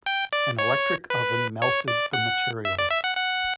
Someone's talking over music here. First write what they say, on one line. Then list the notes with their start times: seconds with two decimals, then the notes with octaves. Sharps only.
An electric oven melted the materials.
0.06 G5
0.33 D5
0.58 C#5
1.10 B4
1.62 C#5
1.88 D5
2.13 F#5
2.65 E5
2.78 D5
2.91 E5
3.04 F#5
3.17 F#5